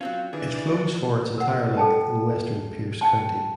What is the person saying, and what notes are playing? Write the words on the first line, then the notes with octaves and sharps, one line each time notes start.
It flows for its entire length in western Pierce County.
F#3 C4 C#4 F4
D#3 E3 D4 G#4
F#4 D5
A#4 F#5
A4 G5 A5
G5 A5